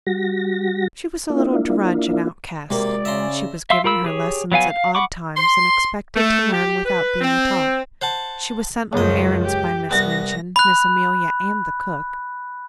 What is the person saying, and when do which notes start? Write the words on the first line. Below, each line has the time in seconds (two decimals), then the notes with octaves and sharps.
She was a little drudge and outcast; she was given her lessons at odd times and expected to learn without being taught; she was sent on errands by Miss Minchin, Miss Amelia and the cook.
0.07 G3 F#4 A#6
1.30 A#3 D4 E4 F4
2.70 C3 G#3 A#3 F#4 G#4 D5
3.05 C#3 E5 A#5 C6
3.70 E5 F5 C6 E6
3.84 F4 A#4 B5 E6
4.04 G4 G#4 C#5
4.52 F#3 B3 F5 G#5
4.70 F5
4.95 F#5 B5 C#6 D6
5.37 C6
6.16 A3
6.52 G4
6.85 B4
7.21 C4
8.02 C5 F#5 A5
8.93 C#2 F#2 F3 D#5
9.44 G4
9.91 C2 B3 A#6
10.56 B5 F#6